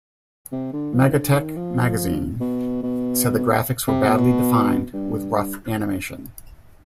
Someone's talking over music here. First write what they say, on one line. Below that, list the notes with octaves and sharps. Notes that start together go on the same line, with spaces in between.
"MegaTech" magazine said the graphics were "badly defined with rough animation".
C3
D3
F3
D#3
D3
D#3
F3
B2
B2
C3
B2
G2
G2